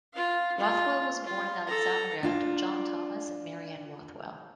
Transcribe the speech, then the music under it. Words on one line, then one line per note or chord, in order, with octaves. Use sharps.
Rothwell was born in Alexandria to John Thomas and Mary Ann Rothwell.
F4 F5
F4
F4
A4 A#5
D4 F4